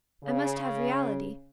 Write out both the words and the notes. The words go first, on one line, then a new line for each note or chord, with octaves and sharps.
I must have reality.
C#3